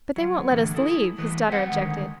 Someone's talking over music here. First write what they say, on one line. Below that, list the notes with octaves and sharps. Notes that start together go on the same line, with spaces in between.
"But they won't let us leave," his daughter objected.
F#3
A2 D3 E3
E4 G#4 A4
E3 G#3 A3 B4
C4 G4 C5 F#5
D3 D#3 G#3